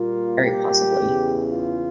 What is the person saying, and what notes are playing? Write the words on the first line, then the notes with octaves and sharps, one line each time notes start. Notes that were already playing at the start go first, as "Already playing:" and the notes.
Very possibly.
Already playing: A#2 G3 A#3 F4
G4
E2 C#3 E3
F4